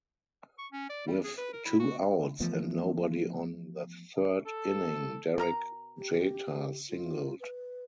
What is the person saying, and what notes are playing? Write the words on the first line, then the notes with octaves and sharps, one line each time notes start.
With two outs and nobody on in the third inning, Derek Jeter singled.
C#6
C#4
D5
G3
G#4
B4
A#4
E4
F#4
E3 F3 A3 B3
A4
B2 A#4 A#5
G4
F4
B4